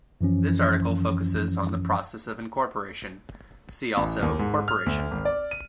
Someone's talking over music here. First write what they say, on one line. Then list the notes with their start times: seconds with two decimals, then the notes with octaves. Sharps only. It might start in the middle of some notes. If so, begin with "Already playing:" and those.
This article focuses on the process of incorporation; see also corporation.
0.21 F#2 E3 F3 C#4
3.97 A1
4.22 D#2
4.39 G#2
4.68 F6
4.86 D2
5.11 G#1
5.25 D5
5.51 D#7